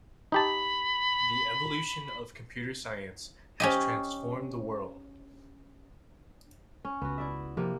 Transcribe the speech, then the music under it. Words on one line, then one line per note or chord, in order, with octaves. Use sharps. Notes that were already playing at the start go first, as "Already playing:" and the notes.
The evolution of computer science has transformed the world.
D#4 G4 A5 B5
C#4 G4 D#5
C#4
C#2 B3 F#4
E4 D5 E5
C3 F3 A#3